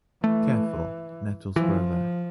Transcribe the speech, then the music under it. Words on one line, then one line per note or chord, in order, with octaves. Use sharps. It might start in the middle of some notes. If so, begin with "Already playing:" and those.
Careful, nettles grow there.
E3 A3
E3 F3